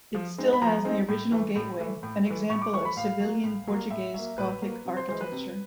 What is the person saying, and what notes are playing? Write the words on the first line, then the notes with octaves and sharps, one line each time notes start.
It still has the original gateway, an example of Sevillian-Portuguese Gothic architecture.
F3
G#3 C4 D#4
B5
F3 A#5
G#3 C4 D#4
A2
E3 A3
A2
E3 A3
A2
E3 A3
A2 C#6
D6
E3 A3 C#6
B5
A2 F5
F#3 A#3
A2
F#3 A#3
A2 E5
F#3 A#3 E5
A2 B4
F#3 A#3
C3
C5
E3 G#3 C5
B4
C3